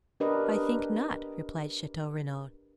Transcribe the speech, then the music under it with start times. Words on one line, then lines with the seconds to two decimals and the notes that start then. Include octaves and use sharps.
"I think not," replied Chateau-Renaud.
0.20 D4 G4 A#4 B4 D#5